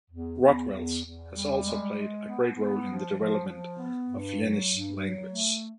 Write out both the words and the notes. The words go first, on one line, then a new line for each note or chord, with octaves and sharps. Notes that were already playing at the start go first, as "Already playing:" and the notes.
"Rotwelsch" has also played a great role in the development of the Yeniche language.
E2
E2
E2
E2
G3
G#3
G#3
B3
B3
F3
F3
F3
B3
G2
F#3
G2
F#3
A3